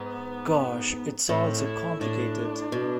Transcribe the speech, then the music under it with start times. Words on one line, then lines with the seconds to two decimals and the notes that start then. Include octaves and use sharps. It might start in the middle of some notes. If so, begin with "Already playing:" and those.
Gosh, it's all so complicated!
Already playing: G#2 B3
1.29 A2 C4
1.58 D4
1.65 E4
2.01 A2 D4
2.72 B2